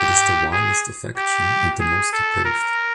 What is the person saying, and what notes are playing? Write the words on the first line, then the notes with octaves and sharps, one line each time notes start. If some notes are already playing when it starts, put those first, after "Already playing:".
It is the vilest affection, and the most depraved.
Already playing: G4
G#4
G4
G#4
A4
A#4